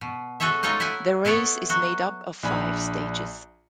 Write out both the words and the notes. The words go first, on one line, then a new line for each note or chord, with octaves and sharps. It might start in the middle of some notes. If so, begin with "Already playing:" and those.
The race is made up of five stages.
B2
F#4 G#4 A4 C#5 E5
D#4 F4 A4 C#5 D#5 A#5
E4 E5 F#5 G#5
B3 E4 A4 C#5
F#3 F#4
A#1 D4 G#5 B5